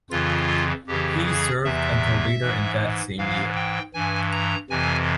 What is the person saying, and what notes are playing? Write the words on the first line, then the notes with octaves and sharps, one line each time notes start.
He served until later in that same year.
F2 C#3 E3 F4
F2 C#3 E3 G4
G#4
E2 C3 E3 E5
G#2 E3
G#2 E3 F5
G5
G2 E3 G#5
A#5
F2 C3 E3 G#5